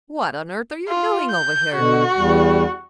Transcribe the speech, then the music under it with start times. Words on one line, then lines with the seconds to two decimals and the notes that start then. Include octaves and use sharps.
"What on earth are you doing over here?"
0.89 F4
1.31 G6
1.76 B2 D3 F#4
2.17 E2 G3